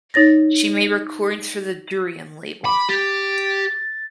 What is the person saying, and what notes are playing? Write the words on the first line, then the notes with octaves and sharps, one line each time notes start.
She made recordings for the Durium label.
D#4 C#5 A6 A#6
B5 D6
G4 A6